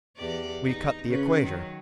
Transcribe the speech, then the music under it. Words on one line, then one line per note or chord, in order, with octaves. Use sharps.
We cut the Equator.
E2 G4 D5
D#4
C#3 C#4 B4
D#3 F#3